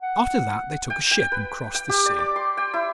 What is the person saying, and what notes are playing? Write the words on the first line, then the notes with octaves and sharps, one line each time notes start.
After that they took a ship and crossed the sea.
F#5
G5
G5
B4
G5
G4
D5
D6
C6
G5
E4